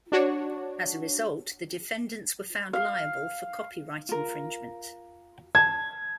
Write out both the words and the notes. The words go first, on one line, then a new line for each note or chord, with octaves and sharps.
As a result, the defendants were found liable for copyright infringement.
D4 F#4 C#5
F5
F4 A#4
A5 G#6